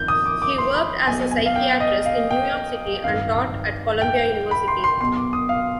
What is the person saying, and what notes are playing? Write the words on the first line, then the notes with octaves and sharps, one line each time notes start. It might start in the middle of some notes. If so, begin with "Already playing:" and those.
He worked as a psychiatrist in New York City and taught at Columbia University.
Already playing: G1 F2 D#3 G6
D#6
D6
D6
C6
B5
B1 B2 G#5
G#5
F5
G5
D#5
F5
G5
G#1 G2 D#3 F5
G5
B5
C6
C6
B1 B2 C6
D6
D#6
F5